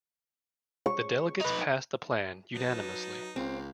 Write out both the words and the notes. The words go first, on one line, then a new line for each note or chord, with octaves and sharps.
The delegates passed the plan unanimously.
C#6
D#4 B4
F#3 D#4 B4 A5
C#2 C4 F5